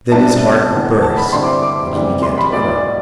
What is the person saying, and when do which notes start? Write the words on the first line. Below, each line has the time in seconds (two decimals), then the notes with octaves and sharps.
Then his heart burst, and he began to cry.
0.12 C2 C3 G3 B3 D4 A5
0.72 F#1 E2 D3
1.02 A5
1.17 B5
1.32 G2 D3 G3 C4 E4 C6
1.43 D6
1.62 D6
1.93 D2 C3 E3 G3
2.23 C6
2.38 B5
2.53 B1 A2 F#3 A3 D5